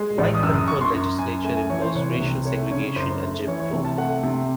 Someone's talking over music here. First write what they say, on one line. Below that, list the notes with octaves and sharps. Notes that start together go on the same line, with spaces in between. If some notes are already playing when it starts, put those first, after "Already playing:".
The white-controlled legislature imposed racial segregation and Jim Crow.
Already playing: G#3
A1
D#6
F#2 E6
D#6
F#2 C#6
C6
F#2
F#2 G#5
A3 G#5
G#5
E3 C#5
C5
C2 C#5
C3
A3 C#5
C#3 C#5
F#2 C5
A3
E3 C#5
C#5
C3
A5
A3 F#5
C3